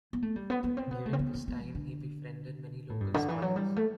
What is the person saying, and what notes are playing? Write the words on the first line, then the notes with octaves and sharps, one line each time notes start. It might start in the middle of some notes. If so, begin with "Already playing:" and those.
During this time he befriended many local scholars.
B3
A3
G3
B3
B3
C4
B3
A3
C4
B3
B3
B3
E3
D3
A2
G2
D3
E3
F#3
G3
A3